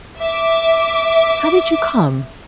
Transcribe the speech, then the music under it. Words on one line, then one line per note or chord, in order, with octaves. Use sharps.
How did you come?
E5 D6